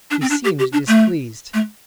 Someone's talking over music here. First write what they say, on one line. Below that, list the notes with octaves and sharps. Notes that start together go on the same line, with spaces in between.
She seemed displeased.
D4
C4
D4
G4
G4
D4
A3
A3